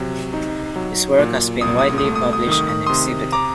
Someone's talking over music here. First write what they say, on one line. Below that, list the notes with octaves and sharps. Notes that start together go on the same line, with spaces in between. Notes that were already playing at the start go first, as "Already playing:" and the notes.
His work has been widely published and exhibited.
Already playing: C3 F#3
D#4
F#3
A#2
C2 D#6
D#6
D#6
A3
D#6
D#6
D#3 D#6
D#6
C3 C6 D#6
A#5 D6